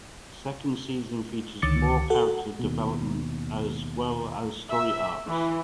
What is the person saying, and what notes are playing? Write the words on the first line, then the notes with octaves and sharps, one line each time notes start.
The second season features more character development as well as story arcs.
C#2 D3 D#3 D6 A6 C#7
F#4 A4 F#5
D#2 B2
E5
E3